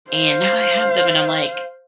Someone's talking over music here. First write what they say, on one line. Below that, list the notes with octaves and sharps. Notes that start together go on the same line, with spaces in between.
and now I have them, and I'm like,
C5 F5